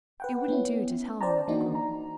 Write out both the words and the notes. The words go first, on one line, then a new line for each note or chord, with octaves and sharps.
It wouldn't do to tell him of the girl.
B4 F#5 G5
B3 C#4 E4
C5 D5 G5 A5 A#5
E3 A#3 D4 D#4 F#4
A#5